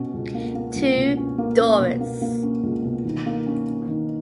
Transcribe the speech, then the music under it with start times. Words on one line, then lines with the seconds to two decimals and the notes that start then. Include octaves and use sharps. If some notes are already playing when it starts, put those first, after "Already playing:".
To Doris.
Already playing: B2 C#4
0.14 C#2
0.34 A#3
0.55 A#3
0.75 C#2
0.97 B2
1.17 C#4
1.38 A#3
1.59 C#4
1.79 B2
2.01 A#3
2.22 A#3
2.43 C#4
2.63 C#2
2.84 B2
3.04 D#3
3.26 A#3
3.46 C#4
3.67 C#4
3.87 D#3